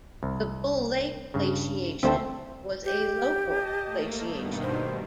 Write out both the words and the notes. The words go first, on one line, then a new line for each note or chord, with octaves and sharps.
The Bull Lake glaciation was a local glaciation.
C2
G2 C#3
D2 A3 C4 C5 A5
G4
D#5 A5
A3 A#3
G2 B2 D#3
C5